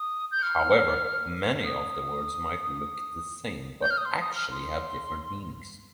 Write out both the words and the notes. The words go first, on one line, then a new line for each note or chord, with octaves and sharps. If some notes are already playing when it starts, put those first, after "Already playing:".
However, many of the words might look the same but actually have different meanings.
Already playing: D#6
G6
F6
D#6
G6
F6
D#6
C6
D#6
F6
C6